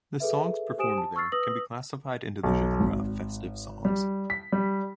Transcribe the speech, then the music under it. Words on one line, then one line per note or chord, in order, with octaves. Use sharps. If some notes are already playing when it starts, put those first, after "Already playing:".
The songs performed there can be classified into the genre of festive songs.
G#4 A4 B4 E5
G4 C5 G#5 D#6 D7 E7
A5
C#6 E6 F6 A6 C7
B4 D#6 E6 A#6 F#7
B1
G#1
G3
B6
G3